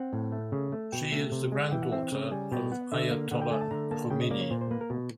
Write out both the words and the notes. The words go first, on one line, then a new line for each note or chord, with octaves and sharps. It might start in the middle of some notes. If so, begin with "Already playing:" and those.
She is the granddaughter of Ayatollah Khomeini.
Already playing: C4 F#5
A2
A3
C#3
A3
B2 G5
A3
C3
G#3
E3 G5
F#5
C4 E5
C#3
G3 G#5
B2 G5
B3 F#5
D3 E5
A#3 F5
D3 F#5
G5
A3 G#5
A5
D3 A#5
A#3 A5
C#3 G5
D#5
A#3 D5
C#5
A#2 C5
C5
A#3 B4
A#4
B2